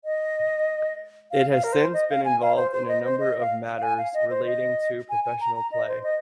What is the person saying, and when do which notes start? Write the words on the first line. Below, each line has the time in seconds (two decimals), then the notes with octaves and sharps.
It has since been involved in a number of matters relating to professional play.
0.05 D#5
1.31 F5
1.51 F5
1.64 A#4
1.73 C5
1.94 D#5
2.10 F5
2.25 G#5
2.42 F5
2.56 C5
2.72 C5
2.88 D#5
3.05 C5
3.20 D#5
3.40 F5
3.78 F5
3.83 G#5
3.98 F5
4.14 D#5
4.30 C5
4.46 D#5
5.10 G#5
5.24 G#5
5.40 A#5
5.56 A#5
5.72 D#5
5.88 C5
6.04 D#5